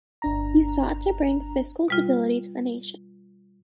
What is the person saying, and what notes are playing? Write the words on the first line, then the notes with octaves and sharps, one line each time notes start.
He sought to bring fiscal stability to the nation.
G1 D4 A#5
B2 G3 F4